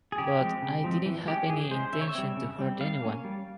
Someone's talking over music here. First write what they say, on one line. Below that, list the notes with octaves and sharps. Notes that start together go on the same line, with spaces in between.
But I didn't have any intention to hurt anyone.
G#4
C#3 G4
F3 G#3 C4
C#3
F3 G#3 C4
E3
G#3 C#4 G4
E3 G#4
G#3 C#4 C5
C#3 E5
C#5
E5
G3 C4
C#3
G3 C4
G3 F5
A#3 C#4
G3